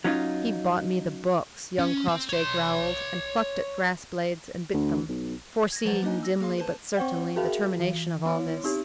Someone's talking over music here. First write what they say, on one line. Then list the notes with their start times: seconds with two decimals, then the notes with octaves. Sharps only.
"He bought me the books," young Crossjay growled, and plucked at grass blades and bit them, foreseeing dimly but certainly the termination of all this.
0.04 F#3 C#4 D#4 F4
1.79 C#4
2.08 C4
2.29 C#5 C6
4.73 D2
5.09 B1
5.72 G#6 A#6
5.85 F3 F#3 B4 C5 F#5 A6
6.03 A#3 D4 D#4 D#5 G#5
6.23 E6 A#6
6.41 A#3 G#4 F5 C6
6.58 B4 C5 A5
6.97 C4 C5 F#5 G5
7.36 F#4 G#4 A#4 E5 F5
7.79 E3
8.26 B3 E4 C#5
8.64 C4 D#4 G4